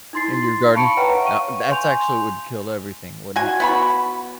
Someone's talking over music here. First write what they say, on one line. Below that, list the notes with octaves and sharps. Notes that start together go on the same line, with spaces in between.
in your garden. Now that's actually would kill everything, wouldn't it?
D#4 E4 C6 A6 C7
F5 A5 B5 C#6 C#7 D7
B4 C#5 E5 F#5 G5 A#5
F5 C#6 D#7
G#5 C6 G6 F7
F#4 G#5
B3 F#4 B5